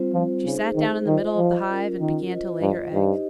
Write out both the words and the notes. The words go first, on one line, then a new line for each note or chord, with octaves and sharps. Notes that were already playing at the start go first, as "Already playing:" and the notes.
She sat down in the middle of the hive and began to lay her eggs.
Already playing: G3 C4 F4 C5
F3
C#3 D#4 G#4 C5
D#3
D#3 F4 C5 D#5
F3
C#4 F4 A#4
D#3
F4 C5 D#5
G2
G2 D#4 G4 C5 D#5